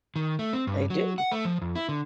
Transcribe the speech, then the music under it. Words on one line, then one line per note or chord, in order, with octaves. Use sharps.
They do.
D#3
A3
C4
G2
F#3
F#5
A3
F3
F2
E4
D3